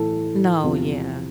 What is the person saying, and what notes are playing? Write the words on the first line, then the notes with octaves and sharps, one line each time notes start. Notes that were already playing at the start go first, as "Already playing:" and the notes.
No, yeah.
Already playing: A2 E3 A4
E2 C3 F3